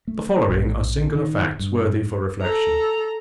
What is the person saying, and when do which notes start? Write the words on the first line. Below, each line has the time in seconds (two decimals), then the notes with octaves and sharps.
The following are singular facts worthy for reflection.
0.08 A3
0.49 A#1
1.15 D#3
1.59 G2
2.42 A4 A#5